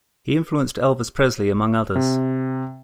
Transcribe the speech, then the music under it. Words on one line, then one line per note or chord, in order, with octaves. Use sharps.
He influenced Elvis Presley, among others.
C3